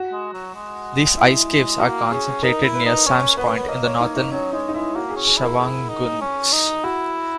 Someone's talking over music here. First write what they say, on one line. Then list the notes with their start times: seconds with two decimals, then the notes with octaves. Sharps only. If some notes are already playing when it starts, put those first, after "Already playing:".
These ice caves are concentrated near Sam's Point in the northern Shawangunks.
Already playing: F#4
0.12 G#3
0.33 F#3
0.54 G#3
1.17 E4
1.80 A#3 F#4
2.11 C#4 G#4
2.43 D#4 A#4
2.64 E4
2.75 B4
2.85 D#4
3.06 C#4 C#5
3.37 B3 B4
3.47 C#4
3.56 B3
3.68 A#3 D#5
3.84 C#5
4.01 D#4
4.16 D#4
4.31 F#3 C#4
4.53 G#3 D#4
4.69 D#4
4.74 G#3 E4
4.95 A#3 F#4
5.10 G#4
5.16 C#4
5.27 G#4
5.37 E4
5.42 A#4
5.58 E4 G#4
5.89 D#4
6.21 C#4
6.52 D#4
6.84 E4 F#4